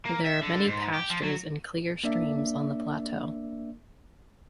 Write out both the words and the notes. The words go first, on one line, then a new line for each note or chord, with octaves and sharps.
There are many pastures and clear streams on the plateau.
A#3
E5
D3
G#2
G4
F3
F#3
A#3 D4 D5 E5